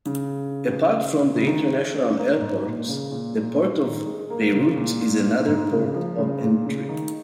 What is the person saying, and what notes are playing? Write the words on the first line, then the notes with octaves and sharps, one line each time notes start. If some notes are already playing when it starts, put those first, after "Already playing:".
Apart from the international airport, the Port of Beirut is another port of entry.
C#3
C#3
D#3
G#3
C#4
A#3
C#4
A#3
G#2
A#2
C#3
A#2
A#2
D#3
G#3
A#3
C#3
A#2
A#2
A#2
G#2
C#3
F3
C#3
A#2
C#3
D#3